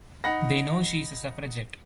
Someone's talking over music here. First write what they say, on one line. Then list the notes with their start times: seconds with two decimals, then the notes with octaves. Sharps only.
They know she’s a suffragette.
0.24 D#4 F#5 B5 A#6